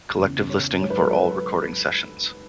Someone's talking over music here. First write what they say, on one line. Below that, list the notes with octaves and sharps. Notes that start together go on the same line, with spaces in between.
Collective listing for all recording sessions.
E2 C#3 E3
C#5
G#2 F#3 C#5
B4
A4
B4